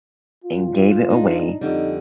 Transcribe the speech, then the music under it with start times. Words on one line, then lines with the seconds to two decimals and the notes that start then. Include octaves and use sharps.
and gave it away
0.44 F4
1.10 D4 D#4
1.61 F2 D3 G3 D#4